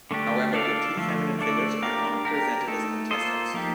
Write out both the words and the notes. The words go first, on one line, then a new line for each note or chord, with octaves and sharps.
However, the two feminine figures are not presented as contestants.
D3 A3 D4 G4
D4 A4 D5 F5
D3 F3 A3
A3 D4 A4 D5
D4 G4 A#4 F5
D4 G4 A#4
A3 D#4 A4
A#3 F4 A4 C5 D#5
F3 A#3 D#4 G4